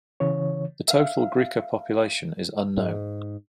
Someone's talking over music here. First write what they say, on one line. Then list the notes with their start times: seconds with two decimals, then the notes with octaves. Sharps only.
The total Griqua population is unknown.
0.20 C#3 E3 C#5
0.88 E5 F5
2.77 G#2